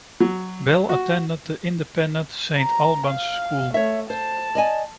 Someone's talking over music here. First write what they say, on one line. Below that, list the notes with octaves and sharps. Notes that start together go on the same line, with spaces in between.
Bell attended the independent Saint Albans School.
F#3
F#4
A#5
F5
A3 C#5 E5
C5 A5
D5 D#5 G#5